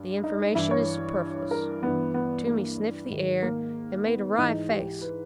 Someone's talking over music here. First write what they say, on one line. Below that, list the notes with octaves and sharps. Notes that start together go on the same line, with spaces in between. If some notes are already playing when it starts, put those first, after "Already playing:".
"The information is superfluous." Toomey sniffed the air and made a wry face.
Already playing: G2
D#4
G2 E3 E4
C#5
A#4
G2 E3 B3
B3
A#3
G#2 D#3
A#3
B3
G#2 E3 D#4
G4
B4